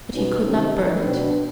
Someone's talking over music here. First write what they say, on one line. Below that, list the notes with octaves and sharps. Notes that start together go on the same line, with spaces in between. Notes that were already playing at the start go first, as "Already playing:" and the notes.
But he could not burn it.
B2 C#4 D#4
C3 D#3 C#4 D#4
A2 E3
B2 C4 D4